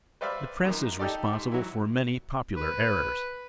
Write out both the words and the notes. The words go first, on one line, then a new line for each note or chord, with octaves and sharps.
The press is responsible for many popular errors.
B4 C5 D5 E5 F5 B5
F#2 A#2 D#3
D#4 G4 A4 D5
G#2
E3 F#3 E4
B4